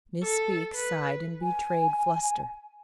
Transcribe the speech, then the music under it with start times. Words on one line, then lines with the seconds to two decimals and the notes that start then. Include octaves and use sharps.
Miss Weeks sighed and betrayed fluster.
0.23 A4
0.75 B4
1.43 G#5